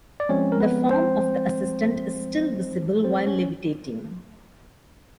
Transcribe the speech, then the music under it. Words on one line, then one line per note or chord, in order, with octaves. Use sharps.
The form of the assistant is still visible while levitating.
D5
F3 G#3 C4 C#4 C#5
A#4
B3 B4
C4 C5
C4 C5
C#4 C#5